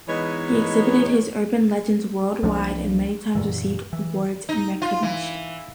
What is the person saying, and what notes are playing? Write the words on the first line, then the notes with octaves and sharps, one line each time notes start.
He exhibited his urban legends worldwide and many times received awards and recognition.
E3 G#3 B3 D#4 C#5
C2 F3 A#3 D4
F#2 A#2 E3
E3
D#4
F4
E3